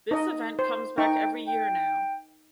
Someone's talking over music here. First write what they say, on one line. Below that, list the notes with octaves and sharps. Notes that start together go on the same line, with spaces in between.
This event comes back every year now.
D#4 D#5
C5
D#4 G5 C#6
G5